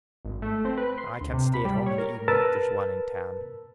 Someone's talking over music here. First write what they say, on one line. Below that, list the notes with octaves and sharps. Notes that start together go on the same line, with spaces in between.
I can't stay at home in the evening if there's one in town.
G#1
A3
C4
B4
C6
D2
C3
B5
G3
C#5
A#4
A#4 B4 A5 E6 A6